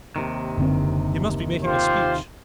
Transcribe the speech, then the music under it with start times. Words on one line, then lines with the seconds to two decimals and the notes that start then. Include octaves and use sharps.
He must be making a speech.
0.16 D#2 C3 D#3
0.58 F#1 D3 C4
1.64 F4 G4 C5